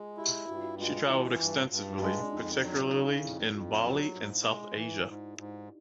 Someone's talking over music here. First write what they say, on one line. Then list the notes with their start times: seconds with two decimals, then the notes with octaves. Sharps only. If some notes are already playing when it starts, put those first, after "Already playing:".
She traveled extensively, particularly in Bali and South Asia.
Already playing: G#3 F4 G#4
0.17 E4 G4
0.48 G2 F#4
0.56 F4
0.63 F#4
0.79 G#3 F4
1.09 E3 E4
1.40 G2
1.70 G2
2.01 G#3
2.23 D4
2.32 F2 D#4
2.62 F#3 D4
2.83 E4
2.93 C#3 D#4
3.23 F2 E4
3.54 F2 F4
3.84 F#3 G4
4.15 G#2
4.46 G#3
4.76 E3
5.07 G#2
5.38 G#2